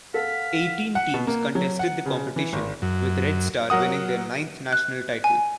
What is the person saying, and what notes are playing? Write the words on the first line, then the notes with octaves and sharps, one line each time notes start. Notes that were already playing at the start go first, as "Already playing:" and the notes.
Eighteen teams contested the competition, with Red Star winning their ninth national title.
A4 F5 F#5 B6
F#5
B2
A#3
F#3
F#5
C#3
E3
G#1
F#2
F#3 A#4 F#5 D#6
F#6
G#5